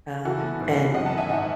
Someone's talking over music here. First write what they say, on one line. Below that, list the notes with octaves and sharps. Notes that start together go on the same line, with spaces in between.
um, and
E3 F#4 A4
B3
G#2
E3
F#2 D#5 F#5
F#5 A5
D#3
E5 G#5
G#2 D#5 F#5